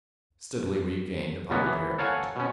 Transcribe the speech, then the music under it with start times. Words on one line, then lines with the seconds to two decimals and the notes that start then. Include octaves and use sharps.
Steadily we gained upon the pyramid.
1.50 C#2 B2 G3 A#3 B3
1.66 E3
1.98 A4 A#4 C#5 F5 F#5 G#5
2.36 B2 C#4